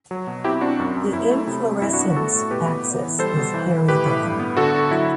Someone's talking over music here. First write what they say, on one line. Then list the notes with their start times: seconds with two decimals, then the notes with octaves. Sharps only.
The inflorescence axis is hairy down.
0.11 F#3
0.27 B2
0.44 C4 E4 G4
0.61 C4 D4 F#4
0.79 F#2
0.97 F#2
1.13 F#2 E4
1.30 A3
1.47 C3
1.65 C3
1.81 G2 E4
1.93 D4 F#4
1.99 B3
2.16 A3 F#4 A4
2.34 A2
2.51 B2 G4 B4
2.68 B3
2.85 B3
3.02 E3
3.19 G3 A4 C5
3.36 B2
3.54 E3
3.71 E3
3.88 A2 G4 B4
4.06 A2
4.23 G2
4.39 B3
4.57 D3 F#4 A4
4.74 D3
4.91 F#3 E4